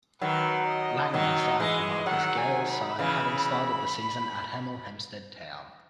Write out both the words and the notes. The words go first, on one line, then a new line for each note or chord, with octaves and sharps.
Langley signed for Marcus Gayle's side having started the season at Hemel Hempstead Town.
D#3 F#3 B4
D#5
D#3 F#3
E3 G#3
D#3 F#3 F#5
G#5
B5
C#3 E3